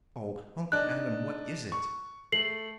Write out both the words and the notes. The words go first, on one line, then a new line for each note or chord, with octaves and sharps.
"Oh, Uncle Adam, what is it?"
D4 D#4 F#6
C#6
A3 C7 F#7